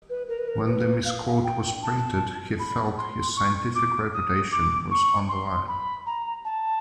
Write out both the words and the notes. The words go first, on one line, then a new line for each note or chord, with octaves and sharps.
When the misquote was printed, he felt his scientific reputation was on the line.
B4
A#4
B4
A#4
B4
F5
G5
A5
B5
C6
C#6
D6
D#6
D6
C#6
C6
B5
A#5
A5